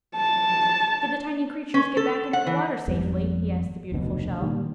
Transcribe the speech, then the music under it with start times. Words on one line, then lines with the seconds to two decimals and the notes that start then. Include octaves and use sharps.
"Did the tiny creatures get back into the water safely?" he asked the beautiful shell.
0.15 A5
1.74 C#4
1.97 A4
2.33 F#5
2.46 E3
2.88 G#1 F2 G3 B3
3.92 F1 D2 B2
4.40 G2 A#2 D#3 G3